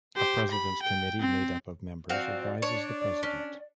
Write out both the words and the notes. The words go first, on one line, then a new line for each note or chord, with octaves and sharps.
A President's Committee, made up of members, advises the president.
G4 C5
B5
G5
C4
F3 C4 F#4 D5 F5
D4 C#5
C#4